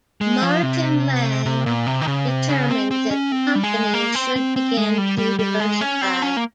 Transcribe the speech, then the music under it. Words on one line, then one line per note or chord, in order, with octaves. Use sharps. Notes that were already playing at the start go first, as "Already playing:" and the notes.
Martin Laing determined that the company should begin to diversify.
G#3
F3
C3
C3
A#2
C3
D#3
C#3
C3
C#3
C4
C4
C#4
C4
G3
G#3
A#3
C4
C4
C4
G#3
G3
G3
G3
G#3
C#4
C4
C#4
A#3